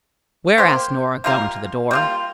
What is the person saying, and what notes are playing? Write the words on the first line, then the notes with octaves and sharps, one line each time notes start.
"Where?" asked Nora, going to the door.
A#3 G4 C5
G3 A#3 F4 A#4
G3 A#3 F4